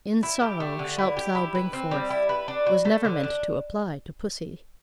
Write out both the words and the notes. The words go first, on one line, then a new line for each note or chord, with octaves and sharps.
"In sorrow shalt thou bring forth," was never meant to apply to pussy.
E4
G4
A3
D3
E4
G4
E4
B4
C4
G3
E4
B4
D4
F#4
A3
D3
D4